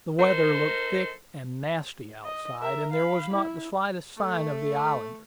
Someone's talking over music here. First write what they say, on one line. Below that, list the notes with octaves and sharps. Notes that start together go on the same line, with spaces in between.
The weather looked thick and nasty outside, and there was not the slightest sign of the Islander.
D#4 A4 A#4 C5
D#5
A#4 E5
F5 B5
E4
A3